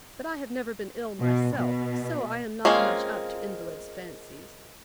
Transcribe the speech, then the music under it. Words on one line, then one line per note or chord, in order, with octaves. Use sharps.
But I have never been ill myself, so I am not much up to invalids' fancies.'
B2
B2
G#3 A#3 C4 C#4 F4